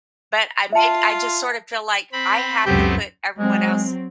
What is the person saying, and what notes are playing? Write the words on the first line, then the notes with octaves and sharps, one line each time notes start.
but I make I just sort of feel like I have to put everyone else
F4 E5 A5
C4 B5
C#2 F#2 A3 B3 C4 G4
F#3 G#3 C4